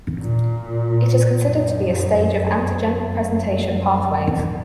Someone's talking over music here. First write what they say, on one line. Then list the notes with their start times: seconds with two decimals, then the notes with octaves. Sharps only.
It is considered to be a stage of antigen presentation pathways.
0.21 A#2
1.44 F#2
2.68 F#2